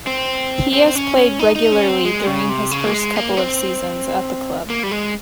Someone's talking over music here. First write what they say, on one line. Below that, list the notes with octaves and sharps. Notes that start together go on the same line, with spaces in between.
He has played regularly during his first couple of seasons at the club.
C4
C4
C4
C#4
C#4
D#4
D#4
C#4
C4
G#3
C#3
C3
C#3
A#3
G#3
A#3
C4
A#3
G3
G#3